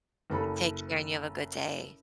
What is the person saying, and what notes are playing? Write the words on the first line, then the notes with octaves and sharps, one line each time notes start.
Take care, and you have a good day.
F#1 A4 B5